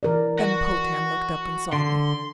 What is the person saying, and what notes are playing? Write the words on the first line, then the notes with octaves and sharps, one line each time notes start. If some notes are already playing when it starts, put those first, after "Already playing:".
Then Potan looked up and saw me.
E3 A#4 D5
F#4
D3 C6